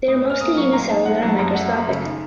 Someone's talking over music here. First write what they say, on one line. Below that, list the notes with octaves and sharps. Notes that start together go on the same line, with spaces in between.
They are mostly unicellular and microscopic.
A2 D#6
C#4 F6
A#3 D#6
F#3 C#6
A#2 A#5
D#4 A5
C4 F#5
F#5
F#3
A5
F#2 A#5
A3 F#5
F#3 A5
C#3
D#3